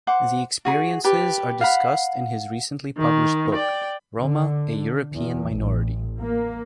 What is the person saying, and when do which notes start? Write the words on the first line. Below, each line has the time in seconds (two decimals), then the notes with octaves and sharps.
The experiences are discussed in his recently published book: Roma - A European Minority.
0.07 C5 F#5 D6
0.65 F#4 G#4 B5 D#6
1.04 G4 B4 A5
1.61 F5 F#5 B5
2.99 D#3
3.56 D5 G5
4.19 D3
5.13 E2
5.52 A1
6.20 A#3